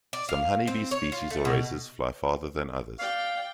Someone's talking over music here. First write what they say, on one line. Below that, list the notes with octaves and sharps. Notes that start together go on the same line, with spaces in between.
Some honey bee species or races fly farther than others.
D5
F5
C4
C#5
F4
A3
B2
D5 F5 G5